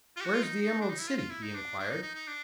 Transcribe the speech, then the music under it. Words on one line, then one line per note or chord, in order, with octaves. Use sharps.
"Where is the Emerald City?" he inquired.
F4
G4
F#4
F4
D#4
D#4
D4
D#4
E4
F4
F4
E4
D#4
D4
D4
D#4
D#4
D#4
D4